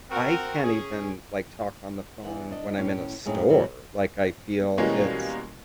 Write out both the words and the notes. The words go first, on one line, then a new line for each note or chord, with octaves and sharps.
I can't even, like, talk on the phone when I'm in a store, like, I feel it's
C4 F#4 A#4
C#4 G#4
E2 E3 F#5
D4 D#5
A2 C#4
F#2 A2 G#3 C4 C#4 D#4
G2 B2 E3 F#3 G#3 C4
B2 E3 G3 G#3 A#3 C#4